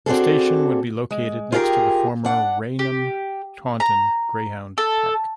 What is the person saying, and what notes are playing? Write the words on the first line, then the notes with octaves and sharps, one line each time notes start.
The station would be located next to the former Raynham-Taunton Greyhound Park.
C4 D4 F#4 G#4 A4
G#3
F4 G4 G#4 A#4 G5
D4 F#5
G4
A#5
A4